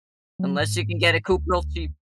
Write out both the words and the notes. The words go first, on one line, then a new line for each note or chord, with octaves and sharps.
unless you can get a coop real cheap.
F#3
G#2
D2